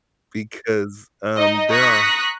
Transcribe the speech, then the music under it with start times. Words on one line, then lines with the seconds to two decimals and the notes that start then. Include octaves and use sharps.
Because, um, there are
1.36 D#4 D#5
1.69 A#5 C#6 D#6 F#6 A#6 B6